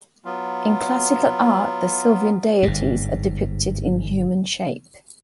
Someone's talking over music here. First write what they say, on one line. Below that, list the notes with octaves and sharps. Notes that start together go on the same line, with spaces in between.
In classical art the sylvan deities are depicted in human shape.
F#3 B3 F4
G1 G#2